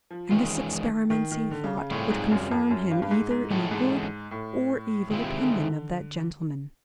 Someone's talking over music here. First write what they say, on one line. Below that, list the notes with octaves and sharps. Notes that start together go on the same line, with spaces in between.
And this experiments he thought, would confirm him either in a good or evil opinion of that gentleman.
F3
D#3 E3 G#3 C#4 F4
D#3
D#3
D3
C#3
C#3
A2 G3 C4 F4 G#4
G#2
F#2
F2
F#2
G2
G2
G#2
G#2
A2 E3 G#3 C#4 F#4 A4
G#2
A2
A#2 D#3 G#3 C4 E4
C3
D3
D3